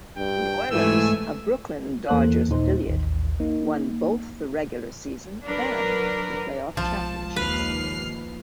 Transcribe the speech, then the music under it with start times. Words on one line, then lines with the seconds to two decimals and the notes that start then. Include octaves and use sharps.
The Oilers, a Brooklyn Dodgers affiliate, won both the regular-season and playoff championships.
0.17 G2 G5
0.71 G#2 E3 A3 G#5 E6
2.08 E2 E3 A#3 A4 C5 F#6
2.49 D#2 A#2 D#4 C5
2.87 A1 D#2
3.40 A#3 D#4
5.45 F#3 D4 A#4 B4
6.77 B1 F3 G#3 A5
7.36 D#2 B4 F6 C7
8.08 A#3